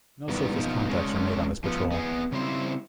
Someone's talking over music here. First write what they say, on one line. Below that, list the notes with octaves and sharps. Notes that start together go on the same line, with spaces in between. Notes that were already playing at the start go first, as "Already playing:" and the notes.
No surface contacts were made on this patrol.
G2 D#3 E3 G3 B3
B2 F3 A#3 D#4
G#3 C#4 D4
F3 B3
B3 G#4
C#3 G3 C4 E4 C5